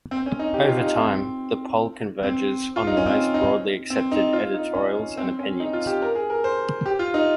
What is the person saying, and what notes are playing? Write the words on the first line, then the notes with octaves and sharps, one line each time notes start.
Overtime, the poll converges on the most broadly accepted editorials and opinions.
C4
C#4
D#4
G4
F4
D#4
C4
C4
F4
D#4
C#4
C4
D#4
C4
D#4
F4
D#4
C#4
C4
C#4
D#4
F4
G4
A#4
G#4
A#4
C5
G4
F4
D#4